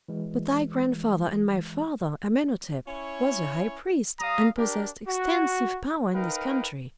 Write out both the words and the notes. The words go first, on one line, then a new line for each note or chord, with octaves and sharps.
"But thy grandfather and my father, Amenhotep, was a high priest, and possessed extensive power in this country."
E3 G#3
C#4 E4 C#5
G3 F5 A#5 D#6
D4 G4 A#4
F#4
D#4 A#4 B4 F5 G5